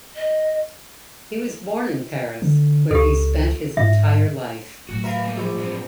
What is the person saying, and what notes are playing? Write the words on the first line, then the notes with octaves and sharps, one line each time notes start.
He was born in Paris, where he spent his entire life.
D#5
D3
C#2 G4 A4
G#2 E5
A2 F#3 F#4
A#4 B4 E5 F5
G3 A#3
A#1
G2 C4